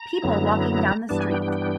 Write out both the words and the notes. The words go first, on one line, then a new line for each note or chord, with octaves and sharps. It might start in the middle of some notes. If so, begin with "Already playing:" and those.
People walking down the street.
Already playing: A#5
F#2 D3 F#3 B3 E4
G2 E3 G3 B3 D4 A5
G#5
G5
G5
G5